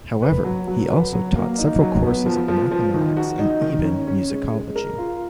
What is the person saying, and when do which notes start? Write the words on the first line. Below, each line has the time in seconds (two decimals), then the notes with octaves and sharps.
However he also taught several courses of mathematics and even musicology.
0.22 B4
0.44 F#3
0.67 F#3
0.90 B4
1.13 F#3
1.36 A#3
1.58 D#4
1.80 F#3
2.03 B3
2.26 F3
2.48 F3
2.71 F3
2.94 D#3
3.17 F#4
3.39 D#4
3.61 D#3
3.84 C#4
4.07 C#4
4.30 G#3
4.52 G#3
4.76 A#4
4.98 F4